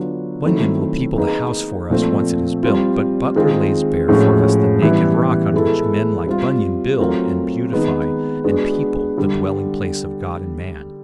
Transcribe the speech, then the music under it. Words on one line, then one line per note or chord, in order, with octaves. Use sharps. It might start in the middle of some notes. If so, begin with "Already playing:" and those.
Bunyan will people the house for us once it is built, but Butler lays bare for us the naked rock on which men like Bunyan build and beautify and people the dwelling-place of God and man.
Already playing: D3 F#3 B3 D4 F4
D#3 F#3 A3 C4 E4
A#3 D#4 G#4 B4
A#2 F3 A3 C4
G3 C4 F4
D#3 G#3 C4 F4 G#4
A2 F3 G#3 C#4 F#4
C#3 E3 G3 B3 E4
G#3 B3 E4 A4
G3 C4 F4
F#3 A3 C4 F4 A#4
D#3 G#3 B3 D#4
G#3 B3 D4 F#4
D3 G3